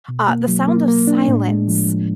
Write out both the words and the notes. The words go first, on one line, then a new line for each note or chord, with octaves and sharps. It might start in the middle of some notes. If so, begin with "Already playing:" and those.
uh, The Sound of Silence.
B2
A#3
F#3
A#3
A#3
D4
A2
G#3
F3
F3